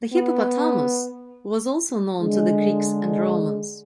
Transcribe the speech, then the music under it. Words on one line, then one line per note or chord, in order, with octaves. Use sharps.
The hippopotamus was also known to the Greeks and Romans.
B3
D3 G#3